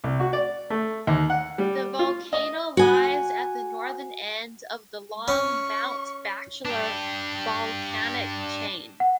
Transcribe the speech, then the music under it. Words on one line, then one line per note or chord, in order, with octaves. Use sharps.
The volcano lies at the northern end of the long Mount Bachelor Volcanic Chain.
C2
F#4
D5
A3
D#2
F#5
G3
F4
D#5
F#4 G#5
C#4 C#6
D4 G4
F#5